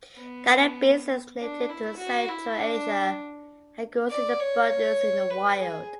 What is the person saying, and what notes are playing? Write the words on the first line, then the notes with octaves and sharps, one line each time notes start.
Cannabis is native to Central Asia and grows in abundance in the wild.
B3
D4
E4
F#4
E4
D4
D5
C#5
B4
G#4